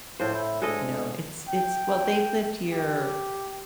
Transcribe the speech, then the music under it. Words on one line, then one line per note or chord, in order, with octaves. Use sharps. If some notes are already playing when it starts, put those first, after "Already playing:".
No, it's it's Well, they've lived here,
A2 F3 C5
E4
D2 G#3 A4 D#5
G5
G4